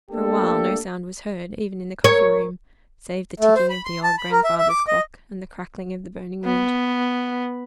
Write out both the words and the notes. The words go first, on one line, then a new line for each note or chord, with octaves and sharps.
For a while no sound was heard, even in the coffee-room, save the ticking of the old grandfather's clock and the crackling of the burning wood.
A3 A#3 D4 G4 A4
A#4 C#5
A3
C5
B5
C6
A5
B5
A#4
E5
E5
D6
D#5
B3